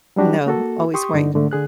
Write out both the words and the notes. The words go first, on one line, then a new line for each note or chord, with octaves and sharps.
No, always white.
F#3 G3 D4 F#4 G4
A#3 F#4 A4
G4 C6 C#6 D#6
G2 D3 D#4
G#2 D3 A3
D3 G#4 F#6